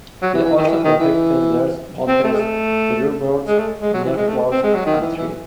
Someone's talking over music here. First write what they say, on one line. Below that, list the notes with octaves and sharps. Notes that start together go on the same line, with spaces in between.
They also protect fenders, bumpers, floor boards, nerf bars and trim.
F#3
E3
E3
D#3
E3
D#3
E3
C4
A3
G#3
A3
G#3
A3
G#3
F#3
E3
G#3
A3
C4
G#3
F#3
D#3
E3
E3